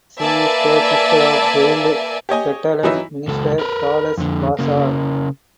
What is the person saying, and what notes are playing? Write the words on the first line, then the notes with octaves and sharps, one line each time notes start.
She is the sister of jailed Catalan minister Dolors Bassa.
A#3 B4 D5 E5 G#5 A5
G4 C#5 D#5 G#5
E3 F#3 D#4 E4
C#2 A4
A#4 B4
F2 D3
C#3 A#3